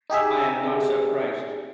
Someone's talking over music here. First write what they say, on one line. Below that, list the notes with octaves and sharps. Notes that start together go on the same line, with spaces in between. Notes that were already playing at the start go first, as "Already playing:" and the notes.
I am not surprised.
D#4 G4 G#4 E5